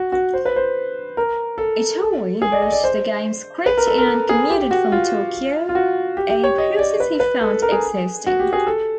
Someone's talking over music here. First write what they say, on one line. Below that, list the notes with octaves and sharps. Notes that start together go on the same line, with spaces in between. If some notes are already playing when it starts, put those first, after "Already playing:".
Itoi wrote the game's script and commuted from Tokyo, a process he found "exhausting".
Already playing: F#4
F#4
C5
B4
C5
A#4
A4
G#4
D5
D#5
D5
C5
B4
A#4
A4
A#4
A4
G#4
G4
G4
F#4
F4
F4
F#4
G4
G4
C#5
D#5
D5
B4
B4
A4
A#4
G#4
F#4
G4
G#4
A4